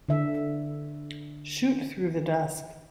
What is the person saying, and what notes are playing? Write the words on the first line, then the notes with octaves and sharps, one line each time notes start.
Shoot through the desk.
D3 E5